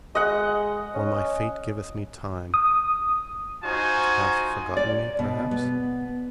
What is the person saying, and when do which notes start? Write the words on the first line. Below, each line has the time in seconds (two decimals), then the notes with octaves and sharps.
For my fate giveth me time: it hath forgotten me perhaps?
0.15 G#3 D#5 F#5
0.95 C#4
2.54 D#6
3.64 D#4 F4 F#4 C5 G#5
4.77 D5
5.19 B2
5.51 B3